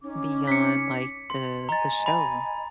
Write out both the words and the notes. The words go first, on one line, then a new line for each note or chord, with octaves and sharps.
beyond, like, the the show.
C#4 D#4 D6
B6 C#7
C6
D#5 G#5 A#5 A6
B5